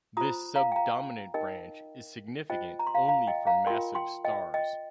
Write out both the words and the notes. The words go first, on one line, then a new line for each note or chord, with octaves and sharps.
This subdominant branch is significant only for massive stars.
F4 C5 A#5 D#6
F5 A#5
G5
F5 A#5
D#4 A#4 D#5 G5
F4 C5 D#5 G5
A#5
C6
F5 A#5
F5 A#5
D#5 G5
F5 A#5
F4 A#4 G5 C6
G5 C6
D#5 G5
D#5 G5